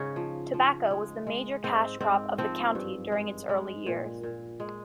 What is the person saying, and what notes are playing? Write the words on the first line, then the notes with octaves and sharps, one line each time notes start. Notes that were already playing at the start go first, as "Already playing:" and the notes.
Tobacco was the major cash crop of the county during its early years.
Already playing: G#2 C#3 C#4 D#4
F3
F3
G#3
G#3
G#2 C4
G#2 C4
F3 C4
G2
G#3
G#3
A#2
A#2
G#3